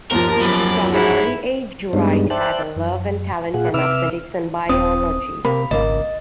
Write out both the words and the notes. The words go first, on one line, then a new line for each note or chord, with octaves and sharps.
From an early age Wright had a love and talent for mathematics and biology.
G1 D#2 F3 A#4
F#2 B5 D6
G#2 E4 E5
G2 G3 G#3 B3 D4 D#4
C5 D5 E5 G5 A5 F#6
F#2
A#2 F4 G#4 F#5
C3 B4 E5 D6 E6 F6
D#1 C4 D#6
C3 A#3 B5
G#1 C#2 A#3 D#5